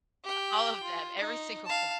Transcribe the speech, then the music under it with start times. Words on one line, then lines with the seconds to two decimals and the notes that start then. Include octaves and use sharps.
All of them, every single one,
0.24 G4 G5
0.84 F4
1.18 D#4
1.65 F5 A5